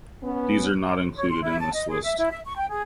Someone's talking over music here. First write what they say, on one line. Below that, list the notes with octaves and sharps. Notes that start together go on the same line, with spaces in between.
These are not included in this list.
B3 C#4
C#5
C6
E4
A5
D#5
G#4
E5
E4
E5
C#6
G5
G#4